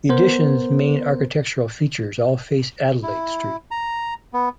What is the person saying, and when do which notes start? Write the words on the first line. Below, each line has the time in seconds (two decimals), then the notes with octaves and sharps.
The addition's main architectural features all face Adelaide Street.
0.09 B3 A#4 C5
3.03 E4
3.71 A#5
4.33 B3